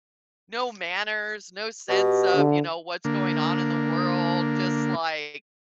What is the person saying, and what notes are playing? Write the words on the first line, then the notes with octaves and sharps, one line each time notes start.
no manners, no sense of, you know, what's going on in the world, just, like
B2 G4
D3
D3 A#3